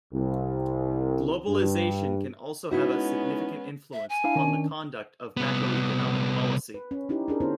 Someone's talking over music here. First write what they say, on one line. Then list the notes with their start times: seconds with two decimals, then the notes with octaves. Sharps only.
Globalisation can also have a significant influence upon the conduct of macroeconomic policy.
0.12 C2
1.47 G2
2.71 G#3 B3 C#4 D#4 E4 F#4
3.93 E5
4.09 G#5
4.24 D4 E4 F5
4.36 D#3 C#4 D4
5.37 C2 B3
6.74 B4
6.91 C#4
7.09 C#4 D#4 E4 G4
7.28 D4 G#4 A#4
7.40 D3 B3 C#4 E4 C5